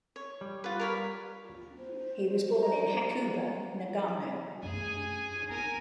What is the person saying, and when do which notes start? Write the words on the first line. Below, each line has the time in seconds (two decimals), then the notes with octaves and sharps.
He was born in Hakuba, Nagano.
0.16 C#5
0.41 G3
0.64 F4 B4
0.79 A#4 C#5 B5
1.78 C5
2.63 A#5
4.63 F#2 A3 G#4 G#5
5.49 C4 A#4 G#5